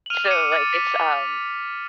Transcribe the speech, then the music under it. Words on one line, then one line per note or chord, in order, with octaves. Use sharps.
So like it's, um,
F#7
F6 D#7 F7
D6
C#7 D#7
D6
D6 A6
D6 B6
D6